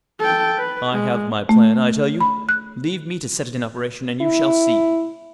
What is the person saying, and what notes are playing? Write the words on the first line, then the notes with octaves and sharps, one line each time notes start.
"I have my plan, I tell you; leave me to set it in operation, and you shall see."
A4 G5
B4
G#3
A3
B5
F#6
E4